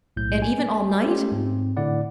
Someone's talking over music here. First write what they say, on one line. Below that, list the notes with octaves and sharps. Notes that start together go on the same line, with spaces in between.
"And even all night?"
B1 A2 G6
G#5
G#3 A3 C#4 F4 G4 A4
G#2 C4
A2 D3 E4 D5 F#5